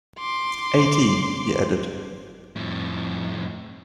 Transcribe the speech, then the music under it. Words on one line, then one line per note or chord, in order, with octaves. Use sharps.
Eighteen, he added.
C6 D6
F2 A2